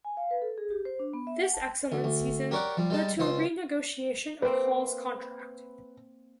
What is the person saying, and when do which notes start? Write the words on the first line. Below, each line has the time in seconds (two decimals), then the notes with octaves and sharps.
This excellent season led to a renegotiation of Hall's contract.
0.05 G#5
0.17 F5
0.31 B4
0.42 A4
0.58 G#4
0.71 G4
0.85 C5
0.99 D4
1.13 B3
1.27 E5
1.39 F#5
1.54 A5
1.92 D2
2.04 D2
2.51 G4 A#4 C#5 D5 F#5
2.77 F3 G3
2.90 G3 G#3 A5
3.19 C#2 F4 C5 C6
4.42 A#3 C4 B4